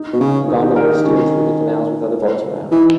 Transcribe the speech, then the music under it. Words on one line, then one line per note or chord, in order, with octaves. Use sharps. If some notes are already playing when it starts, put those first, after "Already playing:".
A gondola is steered through the canals with other boats around.
Already playing: D#4
B2
C#3 C#4
D#3 D#4
D#4 G4
G4 A#4
D#4 G4
C#4
E3 D#4